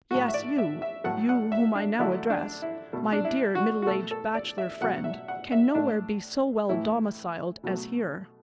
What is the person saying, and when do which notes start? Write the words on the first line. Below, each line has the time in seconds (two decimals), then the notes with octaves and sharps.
Yes, you, you whom I now address, my dear, middle-aged bachelor friend, can nowhere be so well domiciled as here.
0.11 A2 A3 F#4
0.28 E5
0.34 D5
0.58 E5
0.82 E5
1.04 A2 F#3 A3 F#5
1.29 F#5
1.52 E5
1.75 D4
1.99 D3 F#3 A3 E4
2.30 D4
2.62 E4
2.93 B2 A3
3.12 D4
3.25 E4
3.55 F#4
3.82 F#4
3.87 B2 A3 A4
4.11 A4
4.35 D5
4.58 E5
4.81 B2 F#3 A3 F#5
5.04 E5
5.28 F#5
5.52 E5
5.75 A2 A3 D4
6.69 A2 E3 A3 E4
7.63 B2 F#3 A3